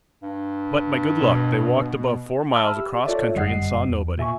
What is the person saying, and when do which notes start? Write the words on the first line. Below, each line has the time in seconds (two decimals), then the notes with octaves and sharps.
But by good luck they walked above four miles across country and saw nobody.
0.23 G2
1.20 B2
2.55 E5 A5 B5 E6 F6
2.77 G4
3.06 F4 A4 C#5 D5 E5
3.35 G1 F#2 G3 D#5 F#5 C7
3.88 E2
4.18 A#2 E5 G#5 C#6